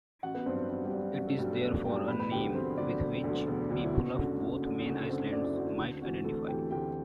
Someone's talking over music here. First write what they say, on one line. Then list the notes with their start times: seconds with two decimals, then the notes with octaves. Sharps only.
It is therefore a name with which people of both main islands might identify.
0.23 A1 F#4 F#5
0.34 B3 B4
0.46 G2 F#3 C4 C5
0.69 A1 C4 C5
0.85 G3 G4
0.93 G2 F#3
1.00 F#4
1.15 A1 F#4
1.27 A3 A4
1.39 G2 F#3 G3 G4
1.50 A3 A4
1.62 A1 B3 B4
1.85 G2 F#3 G4 G5
2.08 E1 B4 B5
2.19 B4 B5
2.31 D2 D3 F#3 G4 G5
2.55 E1 C4 C5
2.77 D2 D3 F#3 D4 D5
3.01 E1
3.24 D2 D3 F#3
3.47 E1
3.70 D2 D3 F#3
3.84 E4
3.93 F#1 F#4
4.16 F#2 D3 F#4
4.40 F#1
4.63 F#2 D3
4.86 F#1 F#4
5.09 F#2 D3 C4 C5
5.32 F#1 D4 D5
5.44 E4
5.55 F#2 D3 F#4
5.67 E4
5.78 D2 F#4
6.02 C3 E3 F#4
6.24 D2 A3 A4
6.48 C3 E3 G4 G5
6.71 D2 G4 G5